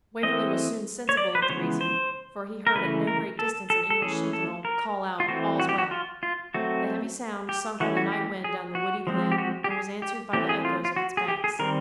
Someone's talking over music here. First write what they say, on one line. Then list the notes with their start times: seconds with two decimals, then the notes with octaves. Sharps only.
Waverley was soon sensible of the reason, for he heard at no great distance an English sentinel call out 'All's well.' The heavy sound sunk on the night-wind down the woody glen, and was answered by the echoes of its banks.
0.23 E3 A3 C4 D#5
1.09 C#5
1.17 D5
1.35 B4
1.42 C5
1.49 C#3 E3 G#3 B3 C#5
1.81 C5
2.67 A#4
2.75 C#3 E3 A3 B4
3.07 A#4
3.39 A4
3.70 A4
3.90 A4
4.01 E3 A3 C#4 G#4
4.33 A4
4.65 A#4
5.20 F4
5.28 E3 A3 C4 F#4
5.60 F#4
5.69 G4
5.78 F#4
5.91 F4
6.23 F4
6.54 F#3 A3 C4 F#4
7.49 G4
7.80 E3 A3 C#4 F#4
7.97 F#4
8.12 G4
8.44 G#4
8.75 F#4
9.07 F3 G#3 C4
9.32 G4
9.38 F#4
9.64 G4
9.70 G#4
10.02 G4
10.33 E3 A3 C4 G4
10.49 G#4
10.65 F4
10.85 F4
10.96 F#4
11.17 G#4
11.28 G4
11.44 G#4
11.59 D#3 G3 C4 A#4